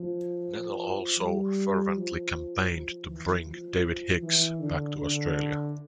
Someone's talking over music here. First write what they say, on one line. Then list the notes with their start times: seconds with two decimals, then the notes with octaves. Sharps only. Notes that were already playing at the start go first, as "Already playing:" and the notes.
Nettle also fervently campaigned to bring David Hicks back to Australia.
Already playing: F3
1.20 G3
1.96 F3
2.71 F3
3.09 E3
3.46 F3
4.22 E3
4.60 D3
4.98 D3